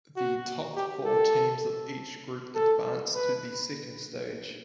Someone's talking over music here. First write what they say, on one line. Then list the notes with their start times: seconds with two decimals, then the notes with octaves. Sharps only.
The top four teams of each group advanced to the second stage.
0.17 F#4
0.76 G4
1.06 A4
2.55 A4
3.15 B4